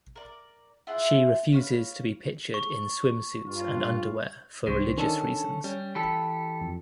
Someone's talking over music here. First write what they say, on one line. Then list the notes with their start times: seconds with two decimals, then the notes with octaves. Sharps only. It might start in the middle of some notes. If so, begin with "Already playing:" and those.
She refuses to be pictured in swimsuits and underwear for religious reasons.
0.16 A#4 D5
0.87 E4 F4 G#4 F#5
1.52 B4 C#5 F5
2.54 C#6
3.47 G2 F4
4.67 C2 D#3 C5 C#6
4.98 D#3 C#4 D4 A4 A5
5.64 G3 C#4
5.95 E3 G4 A4 B5
6.61 F2